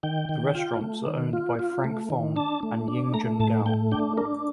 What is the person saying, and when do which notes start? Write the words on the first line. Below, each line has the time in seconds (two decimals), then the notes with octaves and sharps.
The restaurants are owned by Frank Fong and Ying Jun Gao.
0.03 D#3 G5
0.29 D#3
0.55 F4
0.81 A3
1.06 D#3
1.33 F4
1.59 F4
1.84 A3
2.10 D#3
2.36 D4 A5
2.63 A3
2.88 D4
3.14 A3 A#5
3.40 A2 A5
3.66 A3 G5
3.92 D4 G5
4.17 D4 A#4